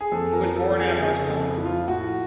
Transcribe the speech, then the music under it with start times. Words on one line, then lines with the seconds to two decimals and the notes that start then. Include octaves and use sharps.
He was born at Barcelona.
0.01 G#4
0.12 F2 A4
0.33 A#4
0.41 F3
0.56 A4
0.70 F2
0.78 G#4
1.00 C#3 G#4
1.22 A4
1.29 F2
1.44 E4
1.58 F3
1.65 F4
1.88 A2 F#4